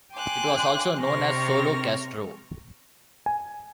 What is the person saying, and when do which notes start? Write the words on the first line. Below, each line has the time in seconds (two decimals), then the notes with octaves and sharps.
It was also known as Solo Castro.
0.15 G5 G#5 C6 D6 F#6
1.00 C3 C4 C#6 F6 A#6
3.26 G#5